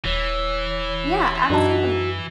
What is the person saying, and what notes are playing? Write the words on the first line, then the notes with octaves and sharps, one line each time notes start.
Yeah, absolutely.
D#1 E3 C#5
F#2 D4 D#4 F#4 A5